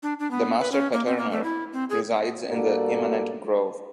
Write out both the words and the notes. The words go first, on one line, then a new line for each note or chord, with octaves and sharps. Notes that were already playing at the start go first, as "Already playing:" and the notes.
The Master Patterner resides in the Immanent Grove.
D4
D4
B3
B4
C#4
A#3
C4
A#3
A3
E4
C4
G#4
G2 A#3 F#4 A4 D5